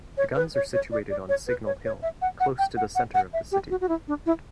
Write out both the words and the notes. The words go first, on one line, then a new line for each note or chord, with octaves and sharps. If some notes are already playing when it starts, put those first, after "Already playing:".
The guns are situated on Signal Hill, close to the centre of the city.
C#5
B4
C#5
C#5
D5
D5
C#5
B4
C#5
C#5
E5
F#5
F#5
G5
F#5
F#5
F#5
E5
G4
F#4
F#4
E4
D4
E4